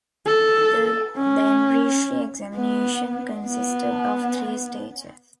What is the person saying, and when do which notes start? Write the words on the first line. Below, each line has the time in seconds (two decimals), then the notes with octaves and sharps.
The benrishi examination consisted of three stages.
0.27 A4
1.18 C#4
2.55 B3
3.47 B3